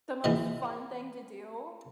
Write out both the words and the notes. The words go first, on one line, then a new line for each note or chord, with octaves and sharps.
the most fun thing to do,
A#1 E3 D#5